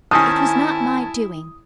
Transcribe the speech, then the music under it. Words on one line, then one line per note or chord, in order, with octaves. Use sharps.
"It was not my doing."
D#3 C4 C#4 E4 G#5 A5 D#6